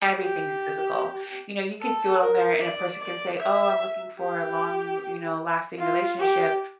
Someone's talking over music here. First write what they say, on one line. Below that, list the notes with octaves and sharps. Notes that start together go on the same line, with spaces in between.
Everything is physical. You know, you could go on there and a person can say, "Oh, I'm looking for a long, you know, lasting relationship,"
G4
A4
A#4
D5
D5
E5
G4
F4
G4